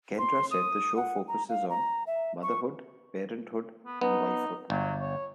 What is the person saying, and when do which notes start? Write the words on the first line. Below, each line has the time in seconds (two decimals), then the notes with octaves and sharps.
Kendra said the show focuses on "motherhood, parenthood, and wife hood".
0.18 C6
0.51 D#6
0.96 F#5
1.28 A#5
1.49 F5
1.70 A#5
2.07 E5
2.43 C#6
3.86 B3
4.01 B3 D#4
4.70 G1 F#3
5.01 C#5